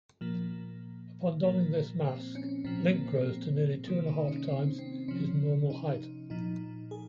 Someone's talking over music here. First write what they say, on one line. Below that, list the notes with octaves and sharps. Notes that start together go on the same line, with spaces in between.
Upon donning this mask, Link grows to nearly two-and-a-half times his normal height.
A#2 F3 A#3
A#2 F3 A#3
C4
C#4
A#2 F3 C4
A#3
C4
C4
C3 D#3 A#3
D#4
C#4
C4
C4
C3 F3 C#4
D#4
A#2 F3 D#4
G#4